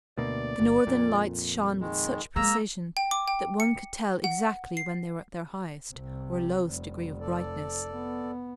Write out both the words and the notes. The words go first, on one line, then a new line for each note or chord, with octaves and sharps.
The northern-lights shone with such precision that one could tell exactly when they were at their highest or lowest degree of brightness.
D2 B2 A#3 D5
G1
F2 A#2
D#3 G#3
G#3 A#3 A#4 A#5 E6
G5
D6
G5
C#7
F#5
C7
C2 C3
G4
F1 G3
A4 D5
B3